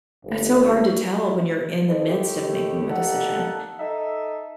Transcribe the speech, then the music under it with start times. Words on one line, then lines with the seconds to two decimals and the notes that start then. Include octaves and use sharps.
That's so hard to tell when you're in the midst of making the decision,
0.23 G1
1.88 F2
2.09 D#2 A3 D#4 G4
2.89 G3 A#3 D#4 A4 F#5
3.79 D#4 A4 E5